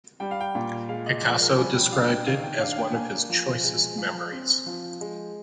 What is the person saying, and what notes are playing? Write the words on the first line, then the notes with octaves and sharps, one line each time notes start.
Picasso described it as one of his choicest memories.
G3 G5
F5
G5
A#2
G#3 F5
D#5
D#5
F3 D5
A#4
G3 G#5
G5
D4 F5
G5
D#3 F5
G5
D4 F5
F5
G5
A#3 G#5
F3
G#3
F3
C4
F3
G#3